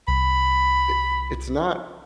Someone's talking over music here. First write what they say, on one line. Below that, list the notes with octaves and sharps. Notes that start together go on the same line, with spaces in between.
i it's not
C2 B5